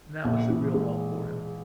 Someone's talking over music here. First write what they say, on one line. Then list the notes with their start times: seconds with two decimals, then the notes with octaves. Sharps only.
And that was the real hell for him.
0.24 A#1
0.50 E3
0.74 G#3